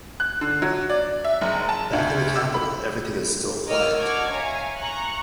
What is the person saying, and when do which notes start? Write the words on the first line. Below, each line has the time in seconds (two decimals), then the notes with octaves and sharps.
Back in the Capital, everything is still quiet.
0.20 F#6
0.41 D3
0.62 F#3
0.90 D5
1.25 E5
1.41 F#1
1.69 A5
1.93 D2
2.36 E6
2.54 B5
3.67 A#4 C#5 D#5 D6 E6 F6
3.98 D4 F#4 D6 F6 G#6
4.30 C#5 E5 F5 G#5 A#5
4.77 A#5 C#6 F#6